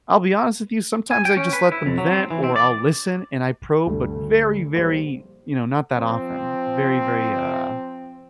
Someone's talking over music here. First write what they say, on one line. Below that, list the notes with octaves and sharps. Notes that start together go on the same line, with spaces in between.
I'll be honest with you, sometimes I just let them vent or I'll listen and I probe, but very, very, you know, not that often. Very, very, uh,
G#5
G5
C#4
B4
E4
F2
F#3
C4
E3
C4
D5
D2 G2 D3 A3
A#1 G3 C5
F3 C4